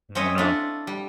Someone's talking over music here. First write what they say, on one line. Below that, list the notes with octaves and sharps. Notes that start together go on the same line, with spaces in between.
Oh, no.
C4 C#4 C#5 D#5 E5
D4 E4 F4 A4
G3